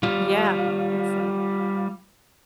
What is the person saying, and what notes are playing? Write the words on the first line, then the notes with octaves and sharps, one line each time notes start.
Yeah, I'd say.
G3 F4